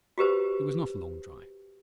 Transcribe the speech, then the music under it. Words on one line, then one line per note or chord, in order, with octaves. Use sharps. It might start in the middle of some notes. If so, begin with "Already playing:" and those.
It was not a long drive.
F#4 G4 B4 C5